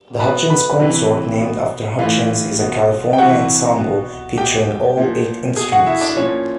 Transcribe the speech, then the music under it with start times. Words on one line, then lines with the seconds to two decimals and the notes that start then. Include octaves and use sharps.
The Hutchins Consort, named after Hutchins, is a California ensemble featuring all eight instruments.
0.20 B2 B4 B5
0.50 B4 B5
0.79 C3 E3
1.39 B2
1.99 A2 E3 F4 F5
2.59 B2
3.13 G5
3.18 C3 E3 F#4 F#5
3.78 B2
4.37 B2 G4 G5
4.97 A#2 F3
5.56 B2 G#4 G#5
5.72 F#4 F#5
5.86 E4 E5
6.01 D4 D5
6.16 A#2 F3 C#4 C#5